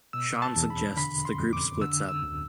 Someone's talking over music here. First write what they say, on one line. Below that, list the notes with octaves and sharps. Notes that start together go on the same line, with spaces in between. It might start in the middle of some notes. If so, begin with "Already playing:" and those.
Shawn suggests the group splits up.
B2 E6
A5
E2
B5
D3 B5
C6
F2
D6
D3 E6
E6
D2